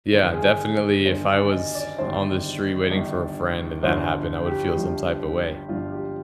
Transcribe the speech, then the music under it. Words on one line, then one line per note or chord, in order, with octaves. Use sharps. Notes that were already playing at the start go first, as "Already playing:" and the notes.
yeah, definitely if I was on the street waiting for a friend and that happened, I would feel some type of way.
G1 G2 D#3 C5
A#4
G#4
A#4
G1 G2 D#3 C5
D5
D#5
D5
G1 G2 D#3 C5
G1 G2 D#3
G1 G2 F3 C5
G4
G1 G2 F3
G1 G2 F3 F4
G4